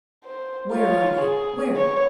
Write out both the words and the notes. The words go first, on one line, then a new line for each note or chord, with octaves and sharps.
Where are they? Where?
C5
F4 C#5
G#4
C#5